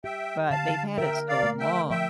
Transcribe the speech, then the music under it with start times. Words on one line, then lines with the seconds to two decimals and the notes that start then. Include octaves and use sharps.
but they've had it so long.
0.04 G4 E5 G5
0.50 D3 F5 A5
0.97 A#4 E5 G5
1.28 D5 F5
1.43 A3
1.59 E5 G5
1.90 F3 E5 G5